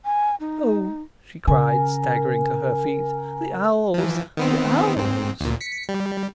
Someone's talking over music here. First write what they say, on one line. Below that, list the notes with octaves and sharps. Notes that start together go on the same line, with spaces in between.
"Oh," she cried, staggering to her feet, "the owls, the owls!"
G#5
D#4
C#3 A#4 G#5
E3 F3
D#3 B3 C4
G#2 C4
D2 A#2
B6 C#7
G3